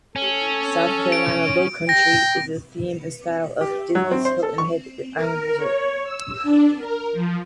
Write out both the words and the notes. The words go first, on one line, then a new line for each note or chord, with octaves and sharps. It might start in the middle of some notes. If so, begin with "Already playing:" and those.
"South Carolina Lowcountry" is the theme and style of Disney's Hilton Head Island resort.
C#4 A4
D7
G5 A#6
G4
F#3
C4
C5
A4
C#6
A#4
C#5
E6
D4
A#4
F3